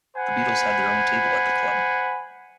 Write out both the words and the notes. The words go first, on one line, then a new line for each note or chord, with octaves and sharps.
The Beatles had their own table at the club.
C5 F#5 G#5 B5